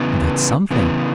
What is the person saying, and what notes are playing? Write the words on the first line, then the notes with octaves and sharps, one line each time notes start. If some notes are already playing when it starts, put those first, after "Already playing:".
And that's something.
Already playing: C#3 E3 B3
C#3 E3 B3